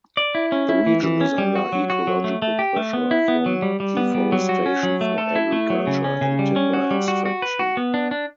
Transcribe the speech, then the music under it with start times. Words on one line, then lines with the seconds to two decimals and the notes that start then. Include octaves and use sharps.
The region is under ecological pressure from deforestation for agriculture and timber extraction.
0.17 D5
0.35 E4
0.52 C#4
0.69 E4
0.87 E3
1.03 E3
1.21 C#4
1.38 G3
1.55 F#4
1.72 F#3
1.90 F#4
2.07 F#3
2.24 A3
2.42 A3
2.59 G4
2.76 A3
2.93 B3
3.11 E4
3.28 B3
3.46 F#3
3.62 G3
3.80 G3
3.97 B3
4.15 G3
4.32 F#3
4.49 F#4
4.66 C#4
4.83 F#3
5.01 A3
5.18 A4
5.36 E4
5.52 A3
5.70 F#3
5.87 C#3
6.04 C#4
6.21 C#3
6.39 G3
6.56 C#4
6.73 F#4
6.91 G3
7.08 F#4
7.26 F#4
7.42 B4
7.59 F#4
7.77 B3
7.94 D4
8.11 D4